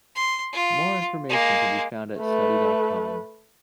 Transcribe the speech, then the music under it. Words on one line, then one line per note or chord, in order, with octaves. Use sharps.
More information can be found at Study dot com.
C6
F4
G#3 A#3
A3 B4